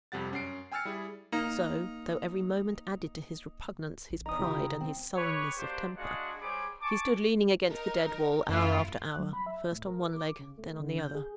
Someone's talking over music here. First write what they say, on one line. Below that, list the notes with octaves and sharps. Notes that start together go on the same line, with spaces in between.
So, though every moment added to his repugnance, his pride, and his sullenness of temper, he stood leaning against the dead wall, hour after hour, first on one leg, then on the other.
F2 C3 G3 F#5 A6
F#2 C#4 F#5 C7 D7
G5 G#5 E6 F6 A6 C#7
G3 E4 G#4
A#3 D#4
A1
E2 D#4 D#5 A#5 D#6
C#3 E4 F4 G4
C4
G4 G#4 B4 C#5
A#3 D4 F#4 G4 C5
G#3 D4 F#4 G#4 F5 F#5
G3 G#4 C5 C#5 B5 D6
G#5 A5 C#6 D6
D#4 A#4
F#2 A3 E4 F4
F#6
F#3
B5
E5
A2
A#4
D6
C#3
A3
D3
G6
G#4